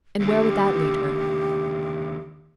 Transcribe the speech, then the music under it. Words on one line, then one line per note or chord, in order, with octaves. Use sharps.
And where would that lead her?
D#2 D3 G4